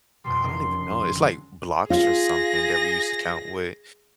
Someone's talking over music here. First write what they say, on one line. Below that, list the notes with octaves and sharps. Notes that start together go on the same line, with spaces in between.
I don't even know, it's like blocks or something that we used to count wit
F2 B2 G3 C6
F1 C#3 A#4
D3 F#3 G#3
F4 G#4 A#6